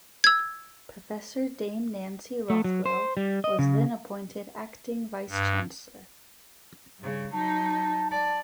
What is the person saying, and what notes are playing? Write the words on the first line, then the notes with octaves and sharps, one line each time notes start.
Professor Dame Nancy Rothwell was then appointed acting Vice Chancellor.
E6 G#6
A3
F#3
C5
G3
D#5
C#3
G2
G2 C#3
F#3 D#4 A5
D5 A5